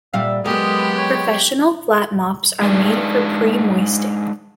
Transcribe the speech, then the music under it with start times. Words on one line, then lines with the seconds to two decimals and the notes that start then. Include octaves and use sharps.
Professional flat mops are made for pre-moisting.
0.14 A#2 G3 E5 F5
0.46 F#3 G#3 B3 G4 A#4 D#6
0.97 C#5
2.62 G#3 D4 D#4 D5